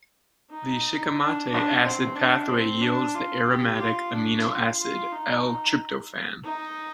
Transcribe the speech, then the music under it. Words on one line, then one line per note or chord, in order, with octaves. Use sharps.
The Shikimate acid pathway yields the aromatic amino acid, L-tryptophan.
D#4
D4
D4
C4
D4
C4
D4
F4
G4
F4
D4
F4
F4
D#4
D#4